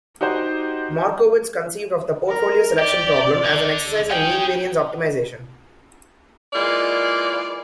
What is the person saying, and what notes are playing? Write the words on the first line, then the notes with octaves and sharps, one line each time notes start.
Markowitz conceived of the portfolio selection problem as an exercise in mean-variance optimization.
D#4 F#4 G4 C5
A#4
G4 D5
D3
C#4 G#4 G5
E3 G#3 A#3 F4 D5